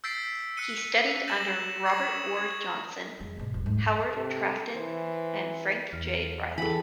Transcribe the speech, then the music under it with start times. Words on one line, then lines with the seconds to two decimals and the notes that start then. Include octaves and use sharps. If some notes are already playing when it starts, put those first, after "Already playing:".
He studied under Robert Ward Johnson, Howard Trafton, and Frank J. Reilly.
0.04 E6 G6 A6 B6 C7 D7
0.57 E6 F#6 C7 C#7 D#7 G7
1.28 G6 A6 A#6 E7 F#7
1.85 C#6 D#6 G#6 C#7 E7 F#7
2.37 G#6
3.20 F1 G#3
3.37 G#2 B2
3.54 D#1
3.66 G#2 A3
4.14 C3 A4
4.76 E3 C5
5.93 E2 F6
6.58 E3 G#4 A4 G5 G#5 B5